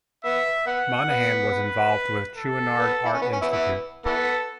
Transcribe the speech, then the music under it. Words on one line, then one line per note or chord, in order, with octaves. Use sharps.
Monahan was involved with Chouinard Art Institute.
B3 E5
B3 F#5
B3
B4
A4
B3
E4
C#4
B3
C#4
B3 E4
B3 E4
E3 B3 A4